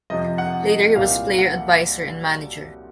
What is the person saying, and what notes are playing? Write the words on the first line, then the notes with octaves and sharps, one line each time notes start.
Later he was player advisor and manager.
F2 C3 F3 D#5
F#5
D#5
C2 A#2 F#3 F5
F#5